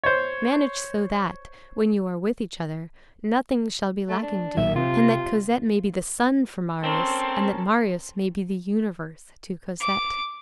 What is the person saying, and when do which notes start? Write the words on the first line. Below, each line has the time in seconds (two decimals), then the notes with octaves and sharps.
Manage so that, when you are with each other, nothing shall be lacking to you, and that Cosette may be the sun for Marius, and that Marius may be the universe to Cosette.
0.04 C5 C#5
4.09 A3
4.23 D4
4.57 B1 A#2 F#3 E5
4.76 C3 C4 F4
6.84 C4 C#4 A4 A#4 C6
9.80 D6